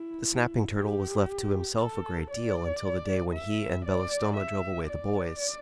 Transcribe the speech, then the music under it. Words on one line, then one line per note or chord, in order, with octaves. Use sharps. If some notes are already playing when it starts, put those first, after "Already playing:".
The Snapping Turtle was left to himself a great deal until the day when he and Belostoma drove away the boys.
Already playing: E4
G4
A4
D5
E5
D5
E5
D5